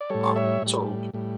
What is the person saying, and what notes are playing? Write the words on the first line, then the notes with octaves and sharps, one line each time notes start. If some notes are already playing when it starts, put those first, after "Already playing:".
Um, so
D5
A2 G3 A4 C#5
C#5 E5
A2 G3
A2 G3